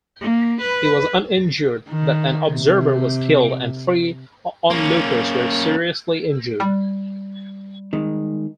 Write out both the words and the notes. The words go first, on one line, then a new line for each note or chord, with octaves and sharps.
He was uninjured but an observer was killed and three onlookers were seriously injured.
A#3
B4
D#3
C3
A#3 C#4
G3
D#3 G#3